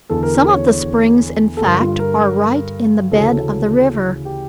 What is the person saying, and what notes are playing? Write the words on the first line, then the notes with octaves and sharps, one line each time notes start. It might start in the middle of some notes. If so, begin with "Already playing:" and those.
Some of the springs, in fact, are right in the bed of the river.
E2 D3 A4
A#4
A#4
C#5
A4
G2 D3 A#4
F4
A#4
D2 C#3 E3 A4
G4